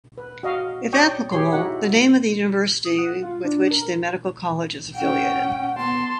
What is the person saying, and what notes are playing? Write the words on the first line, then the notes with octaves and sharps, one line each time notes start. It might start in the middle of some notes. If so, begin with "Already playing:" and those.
If applicable, the name of the university with which the medical college is affiliated.
B4
F#4 D#5 F5
C#5 D5 G5 C#6 D#6
G4 G#4 C#5 C6
D#4 E4 F#4 F#5
D#6
F#5
F4
D4
A#4
C#4 F#5 G5
B3 A5 C6